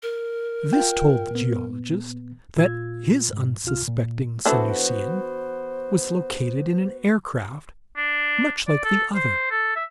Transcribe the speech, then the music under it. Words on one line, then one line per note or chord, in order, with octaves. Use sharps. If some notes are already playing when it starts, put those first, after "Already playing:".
This told the geologist that his unsuspecting Sanusian was located in an aircraft much like the other.
A#4
F4 G5
A#2 B3
A#2 F4 E6 G#6
G#2
C2 C3 F4 F6
A#2
E3 B3 D4 F#4 A4 C5
D4
D5
A4
C5
A4
E5